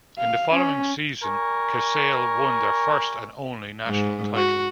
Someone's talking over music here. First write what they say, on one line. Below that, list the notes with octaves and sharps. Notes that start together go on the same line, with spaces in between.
In the following season Casale won their first and only national title.
F5
C#4
G3 A#4 G#5 C#6
G#2
F#4